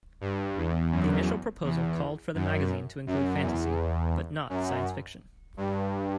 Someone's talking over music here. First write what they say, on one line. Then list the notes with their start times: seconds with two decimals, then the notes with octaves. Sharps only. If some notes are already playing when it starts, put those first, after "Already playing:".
The initial proposal called for the magazine to include fantasy, but not science fiction.
0.21 G2
0.56 E2
0.92 F#2
1.63 E2
2.34 F#2
3.07 F#2
3.42 E2
4.49 F#2
5.57 G2